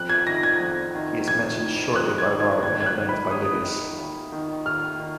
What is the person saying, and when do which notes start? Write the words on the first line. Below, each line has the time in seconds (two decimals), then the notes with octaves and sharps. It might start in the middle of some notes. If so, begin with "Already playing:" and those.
He is mentioned shortly by Varro and at length by Livius.
Already playing: F2 F#6
0.10 G#6
0.27 D#3 A#6
0.43 G#6
0.60 F2
0.95 D#3
1.28 F2 G#6
1.62 D#3
1.95 F2 F#6
2.18 G#6
2.30 D#3
2.40 G#6
2.63 D#2 G#6
2.80 G#6
2.86 F#6
2.96 D#3
3.09 B5
3.31 D#2 D#6
3.64 D#3
3.98 D#2
4.32 D#3
4.66 D#2 F6
5.00 D#3